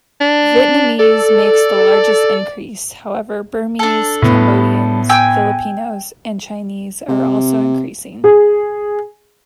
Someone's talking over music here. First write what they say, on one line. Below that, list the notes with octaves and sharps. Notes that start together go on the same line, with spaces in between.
Vietnamese makes the largest increase, however Burmese, Cambodians, Filipinos and Chinese are also increasing.
D4
A4 D5
D4 A4
A2 B3
G5 G#5 E6
C3
G#4